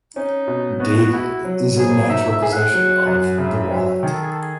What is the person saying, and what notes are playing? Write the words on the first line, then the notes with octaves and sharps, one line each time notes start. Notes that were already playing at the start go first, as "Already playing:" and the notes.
David is in natural possession of the wallet.
C#4 D#4
B2
B3 F#4
E4 F#4
F#3
G#1 G#4
D#4 E5
E5
G#4
F#5
F#3
F#2
C#3 E5
F#3
D#3 G#4
A4
G#4
A4
G#4